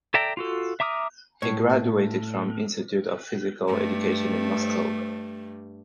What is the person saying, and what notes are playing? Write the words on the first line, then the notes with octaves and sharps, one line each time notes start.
He graduated from Institute of Physical Education in Moscow.
A4 D5 E5 G5 A#5
F4 F#4 A4
E5 A#5 D6 D#6 F6
A2 C#5
G2 A3